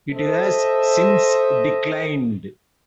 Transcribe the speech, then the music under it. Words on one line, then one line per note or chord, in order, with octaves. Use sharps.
It has since declined.
A4 C5 D#5 E5